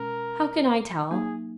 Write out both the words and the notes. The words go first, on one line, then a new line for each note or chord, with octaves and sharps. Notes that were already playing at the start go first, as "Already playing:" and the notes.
'How can I tell?
Already playing: B2 G#3 C#4 A#4
F#3 A#3 D#4 G#4